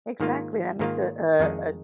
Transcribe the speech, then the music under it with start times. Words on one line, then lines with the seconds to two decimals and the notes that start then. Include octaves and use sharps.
Exactly, that makes a a a d
0.20 G#2 D#3 A#3 F4
0.79 G#2 D#3 A#3 F4
1.39 F2 D#3 G#3 D#4 G#4